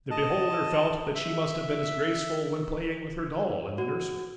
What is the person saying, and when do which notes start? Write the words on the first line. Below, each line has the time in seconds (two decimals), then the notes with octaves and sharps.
The beholder felt that she must have been as graceful when playing with her doll in the nursery.
0.11 D#5 A5
1.15 E5
3.78 F#4